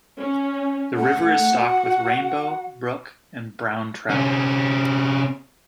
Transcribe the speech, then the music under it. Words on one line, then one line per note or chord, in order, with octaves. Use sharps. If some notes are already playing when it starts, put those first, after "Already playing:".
The river is stocked with Rainbow, Brook, and Brown trout.
C#4
A3 F#5
F#4
C3 C#4